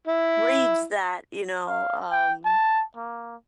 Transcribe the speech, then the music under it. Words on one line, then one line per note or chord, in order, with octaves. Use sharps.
Reads that, you know, um
E4
F5
G5
A5
A#3